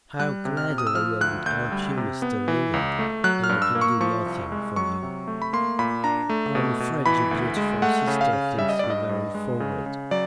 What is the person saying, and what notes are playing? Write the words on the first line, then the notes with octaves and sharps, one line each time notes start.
How gladly I would help you, Mr. Lingard, and I can do nothing for you.--I'm afraid your beautiful sister thinks me very forward.
G3 F#6
C3
F6
C3
D#6
E6
F3 F6
D2 F#6
D2 G6
G3
C3
B3
E3
C#2
A3
F#3 F#6
F6
G2
E6
A#3
C#6
F3 C#6
C2
G#3
F#3 C#6
C3
A3
B5
A#3 C6
A#2 B5
D4 A#5
A3
B2
B2
E3 B5
D2
G#3
A3 F#5
C#3
F5
C#3
G3 E5
D#5
G2 D5
D#5
G2
G#3
C#3
C#3
F#3 D5